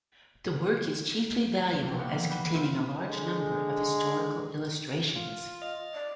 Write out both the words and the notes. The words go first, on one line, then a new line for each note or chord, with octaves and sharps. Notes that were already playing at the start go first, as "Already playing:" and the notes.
The work is chiefly valuable as containing a large number of historical illustrations.
C2 F3 G5
A#3 B3 A#4 F#5 G5
D#3 E3
B5 F#6 G6
C4 E4 F4 A#4
D3 G#3
F4
D#5 F6 A6
D5